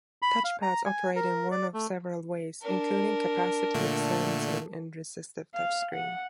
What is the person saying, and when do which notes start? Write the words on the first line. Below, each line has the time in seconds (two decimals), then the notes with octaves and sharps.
Touchpads operate in one of several ways, including capacitive sensing and resistive touchscreen.
0.22 B5
0.44 F5
0.62 A#5
0.85 G#5
1.16 A#4
1.51 D5
1.74 A3
2.61 D4 A#4
3.74 A#2 D3 A3
5.54 F5
5.94 F#5